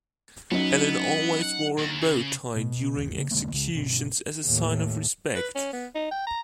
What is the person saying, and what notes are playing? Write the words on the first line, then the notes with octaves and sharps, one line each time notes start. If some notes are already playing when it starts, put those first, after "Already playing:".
Allen always wore a bow tie during executions as a sign of respect.
F#3 B3 C#4 D#4
F#5
D#2
C#3
B2
G1 D#2
C#3 A#3
D#1 D3 G#3 A#3
C#2 C#3 G#3
G1 B2 C4 D4
D#2 A2
B4
C#4
B3
D#4
G5
A#5